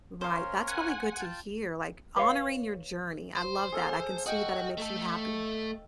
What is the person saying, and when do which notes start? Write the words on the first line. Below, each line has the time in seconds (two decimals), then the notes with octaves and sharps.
Right, that's really good to hear, like, honoring your journey, I love that, I can see that it makes you happy.
0.21 C#4 A#4 C5 C#5 F5
0.68 F#5 G#5
1.20 F4 G5 A5
2.17 B4 C#5 F5
3.36 C5
3.72 G#4 A4 F5
4.26 F#4 D#5 G5
4.78 A3 A4